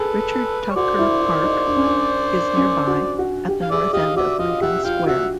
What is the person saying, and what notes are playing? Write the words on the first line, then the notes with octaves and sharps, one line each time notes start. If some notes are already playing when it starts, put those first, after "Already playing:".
Richard Tucker Park is nearby, at the north end of Lincoln Square.
Already playing: G#4 A4 B4
C#5
F#4 C5 D5
E4
E4
D#4
D4
C#4
D4
C#4
F#4
F#4
G4
F5
G#4 D5 E5
G4 D#5 F5
F#4 D5 E5
F4 D#5 F5
G4 E5 F#5
F4 F5 G5
F#4 E5 F#5